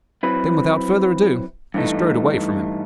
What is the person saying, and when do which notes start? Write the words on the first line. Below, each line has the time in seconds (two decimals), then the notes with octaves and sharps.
Then, without further ado, he strode away from him.
0.23 F#3 C4 E4 B4
1.74 G2 E3 A3 D#4